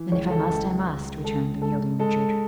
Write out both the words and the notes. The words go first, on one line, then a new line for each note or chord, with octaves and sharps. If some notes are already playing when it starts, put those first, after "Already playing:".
"Then, if I must, I must," returned the yielding Richard.
Already playing: E3
C#2 C#5
A4
C#2
C#2
G#3 A4
G#2 A4
G#3 A4